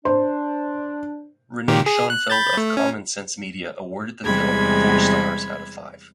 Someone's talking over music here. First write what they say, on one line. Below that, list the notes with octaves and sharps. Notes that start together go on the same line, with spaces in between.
Renee Schonfeld of Common Sense Media awarded the film four stars out of five.
D4 C5
A#2 D#3 G4
G#4
F#6
B5 G6 A6
A3
C#4
E2 C3 G3 G#3 B5 G#6